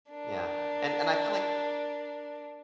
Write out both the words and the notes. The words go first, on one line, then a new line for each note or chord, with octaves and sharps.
yeah, and and I feel like
D4 A#4